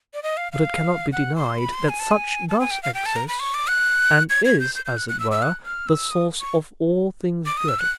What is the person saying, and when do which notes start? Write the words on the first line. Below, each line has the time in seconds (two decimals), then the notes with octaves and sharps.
But it cannot be denied that such does exist, and is, as it were, the source of all things good.
0.14 D5
0.23 D#5
0.37 F5
0.52 F5
1.12 F#5
1.36 C6
1.58 B5
1.74 C6
1.89 G#5
2.00 A5
2.11 G#5
2.49 A5
2.60 G#5
2.71 G5
2.83 F5
2.94 G5
3.06 A5
3.16 A#5
3.28 B5
3.40 C#6
3.54 D6
3.69 F#6
4.30 G#6
4.45 G#6
4.60 G6
4.75 G6
4.85 G6
4.97 F#6
5.09 F#6
5.20 E6
5.31 E6
5.42 F#6
5.65 F6
5.87 E6
6.11 D#6
6.40 C#6
7.46 D6
7.57 D#6
7.68 E6
7.79 F#6